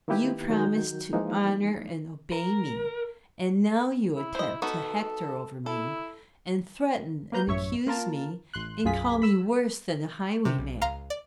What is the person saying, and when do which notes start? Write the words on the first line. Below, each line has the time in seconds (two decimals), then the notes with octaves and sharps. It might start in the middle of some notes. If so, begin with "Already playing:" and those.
'You promised to honour and obey me, and now you attempt to hector over me, and threaten and accuse me, and call me worse than a highwayman.
0.08 D#3 A#3 B3 E4 G4 B4
0.49 D#3 F#3 F#4 A#4 G6
1.13 E3 F3 G#3 A#3 D#4
2.32 A#4
4.16 E4
4.35 C5 D#5
4.62 B3 D#4 F#4 A4
5.66 E4 A4
7.32 A#3 B3 B4 A#5 G6
7.47 A1 F#2 C#5 E5 C#6
7.87 A#3 F4 A#4 A5
8.54 A1 C6 F#6
8.85 B1 F#2 F4 G#4 B6
9.22 B5 E6
10.45 C3
10.58 B1
10.81 C#2 F5 A#5 C6
11.10 D5